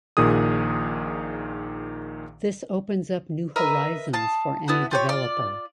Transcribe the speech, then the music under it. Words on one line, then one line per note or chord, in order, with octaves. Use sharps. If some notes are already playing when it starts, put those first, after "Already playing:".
This opens up new horizons for any developer.
A#1 A#2 D#3 G#4 D#6
A#4 B4 D#5 E5
F5 A5 D#6
B3 E4 F#4
F4 G4 C#5
F4 D5